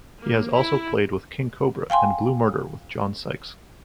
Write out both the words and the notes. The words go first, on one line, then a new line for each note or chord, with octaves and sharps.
He has also played with King Kobra and Blue Murder with John Sykes.
A#3
E4
F5 G5 G#5 C6